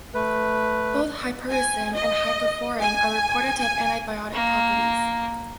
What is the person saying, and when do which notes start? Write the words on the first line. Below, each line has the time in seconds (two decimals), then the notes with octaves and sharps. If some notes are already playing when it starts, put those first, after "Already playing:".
Both hypericin and hyperforin are reported to have antibiotic properties.
0.14 A3 B4
1.50 G#5
1.94 D#5
2.82 G#5
3.59 G#5
4.33 A#3